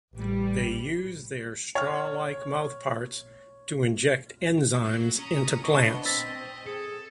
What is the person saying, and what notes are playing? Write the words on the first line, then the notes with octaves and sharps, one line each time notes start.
They use their straw-like mouthparts to inject enzymes into plants.
A1 G3
C#5 F6
F#3
C#4 A#5 D#6
F3 B3 D4 D#5 C#6
C4 E6 A6 B6
G#4 A4